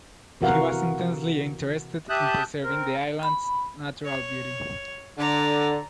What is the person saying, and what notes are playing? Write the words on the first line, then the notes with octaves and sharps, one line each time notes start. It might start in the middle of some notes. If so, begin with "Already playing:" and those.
He was intensely interested in preserving the island's natural beauty.
C3 E3 F#4 A#4 F5 F#5
G4 E5 A5 D#6 F#6 G6
C4 A#4
B5
C#5
D3 D5 A#5